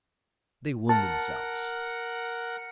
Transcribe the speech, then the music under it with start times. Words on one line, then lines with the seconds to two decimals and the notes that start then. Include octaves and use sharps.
They wound themselves.
0.89 A#4 F#5 A5